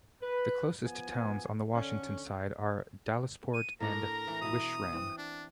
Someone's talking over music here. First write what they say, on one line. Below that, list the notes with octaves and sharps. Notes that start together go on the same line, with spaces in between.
The closest towns on the Washington side are Dallesport and Wishram.
B4
F3 B3 G#5
D3 C#4
D#7
A2 D4 A#4 F#5 A#5
E3
B2 E4 D#6
E3 C4
D4